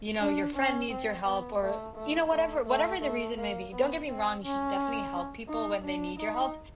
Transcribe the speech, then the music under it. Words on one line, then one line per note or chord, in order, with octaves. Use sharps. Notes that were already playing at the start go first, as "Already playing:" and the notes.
you know, your friend needs your help or you know, whatever whatever the reason may be, don't get me wrong, you should definitely help people when they need your help,
D4
C#4
C4
B3
A3
A3
A3
A3
A3
A#3
B3
C4
C#4
D#4
D4
D#4